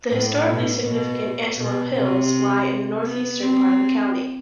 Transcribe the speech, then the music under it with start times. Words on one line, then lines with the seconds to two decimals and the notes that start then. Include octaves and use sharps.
The historically-significant Antelope Hills lie in the northeastern part of the county.
0.11 A2
0.48 B2
0.84 B2
1.58 B2
1.95 C3
3.04 B3
3.41 C4